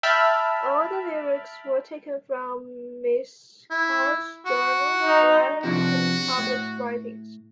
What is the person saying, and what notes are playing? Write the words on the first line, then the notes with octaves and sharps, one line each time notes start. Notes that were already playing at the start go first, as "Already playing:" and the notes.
All the lyrics were taken from Ms. Carr's journals, letters, and published writings.
E5 G5 A5 B5 F6
E4
F#4
D#4
C3 F3 D4 F#4
A2